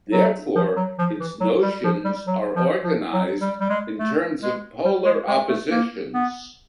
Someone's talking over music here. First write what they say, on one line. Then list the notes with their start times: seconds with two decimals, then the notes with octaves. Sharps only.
Therefore, its notions are organized in terms of polar oppositions.
0.13 F#3
0.55 F3
0.76 F#3
0.99 F3
1.20 E3
1.40 F#3
1.62 G3
1.84 F3
2.05 G3
2.27 F#3
2.56 F3
2.84 F3
3.13 F#3
3.41 G3
3.60 G3
3.69 G#3
3.98 A3
4.42 G#3
4.85 G3
5.05 G#3
5.28 G#3
5.49 A3
5.70 A#3
6.14 B3